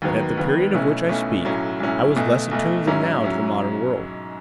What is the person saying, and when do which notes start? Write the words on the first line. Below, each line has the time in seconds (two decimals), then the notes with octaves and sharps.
And at the period of which I speak, I was less attuned than now to the modern world.
0.02 D#2 D#3 F#3 B3
0.37 D#2 D#3 F#3 B3
0.73 B1 B2 A3 C#4 E4
1.09 B1 B2 A3 C#4 E4
1.45 B1 A2 F#3 C#4 E4
1.80 B1 A2 F#3 C#4 E4
2.16 B1 B2 A3
2.51 B1 B2 A3
2.87 G#2 F#3 C#4 E4
3.23 F#3 C#4 E4